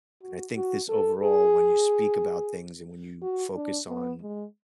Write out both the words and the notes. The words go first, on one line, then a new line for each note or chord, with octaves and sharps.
and I think this overall when you speak about things and when you focus on
F#4
F#4
A4
G#4
F#4
D4
B3
G#3